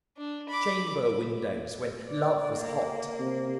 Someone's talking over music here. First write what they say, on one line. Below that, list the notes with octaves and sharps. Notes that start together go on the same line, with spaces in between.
Chamber-windows when Love was hot?
D4
B5 D6
D5
A#3
C3